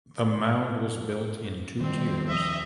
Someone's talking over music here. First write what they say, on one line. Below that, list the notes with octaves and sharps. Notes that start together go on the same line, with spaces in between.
The mound was built in two tiers.
D#3 G3 B3 C4
D#2 F3 D#5 E5